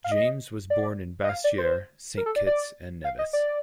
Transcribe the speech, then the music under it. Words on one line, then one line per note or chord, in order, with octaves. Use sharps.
James was born in Basseterre, Saint Kitts and Nevis.
F5
D#5
D5
D#5
F5
D5
C5
A#4
A4
D5
D5
F5
D#5
D5